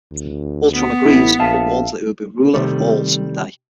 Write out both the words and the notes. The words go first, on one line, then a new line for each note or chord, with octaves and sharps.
Ultron agrees, but warns that he will be ruler of all someday.
D2
B3
A1 E4
A#1 E5 F5 A5
C3 D#3 G3 A3